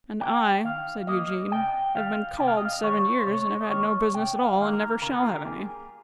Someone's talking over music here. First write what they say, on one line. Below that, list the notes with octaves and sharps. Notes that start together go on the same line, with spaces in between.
'And I,' said Eugene, 'have been "called" seven years, and have had no business at all, and never shall have any.
A#3 G5
D#3 F5
A#3 D#5
C3 G5
D#3 G3 F5
C3 G5
F5
D#5
F5
D#3 G3 C#5
C5
C3 C#5
D#5
D#3 A#3 C#5
C3 G5
F5
D#3 A#3
A#4
C#3 A#4
F4
G4
G3 A#3 G#4